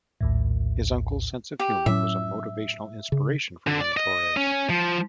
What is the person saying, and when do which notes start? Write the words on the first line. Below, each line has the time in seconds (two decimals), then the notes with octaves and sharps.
His uncle's sense of humor was a motivational inspiration for young Torres.
0.21 A#1 D#2 A2
1.59 G4
1.86 A2 F#3 C#4 E5
3.12 C#3
3.67 D3
3.80 D5
3.97 D#5
4.37 C#4
4.70 F3